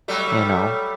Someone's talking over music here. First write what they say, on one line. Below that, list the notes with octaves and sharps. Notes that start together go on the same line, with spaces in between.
You know?
F#3 G3 A3